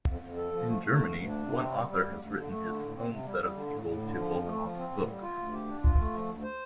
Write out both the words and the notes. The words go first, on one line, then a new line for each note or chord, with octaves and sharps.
In Germany, one author has written his own set of sequels to Volkov's books.
F2
F2
A4
F3
A3
A3
D2
D2
D4
C3
C4
G3
G3
D2
D2
D3
A3
D3
A2
C4
C3
G3
G3
D3
A2
A2
D3
F3
F2
A3
F3
C4
A2
G3
F4
D2
G4
D4
F4
A3
F3
D2
C5